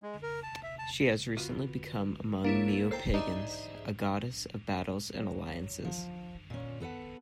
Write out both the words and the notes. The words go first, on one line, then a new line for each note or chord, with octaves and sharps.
She has recently become among neo-Pagans, a goddess of battles and alliances.
G#3
A#4
A5
E5
A5
B3 F4 F#4
A#3 D4 E4 C#5
A4 C5 G5 A#5 C7
G3 D4 D#4 G#4 C5 E5
F#3
F3
A#2 C#4
B3 A4 B4 F#5